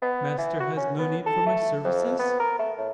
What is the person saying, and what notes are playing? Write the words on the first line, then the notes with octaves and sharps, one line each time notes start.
"Master has no need for my services?"
B3
E3
F#4
C#4
B3
A4
A3
F2
B3
A#4
A3
A2